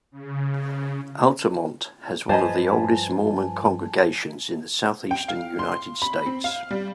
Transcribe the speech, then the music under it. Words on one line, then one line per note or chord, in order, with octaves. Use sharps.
Altamont has one of the oldest Mormon congregations in the southeastern United States.
C#3
G2 F3 B4 C5 D#5 G#5 A5
G5
F5
C6
B5
C4
F5
G3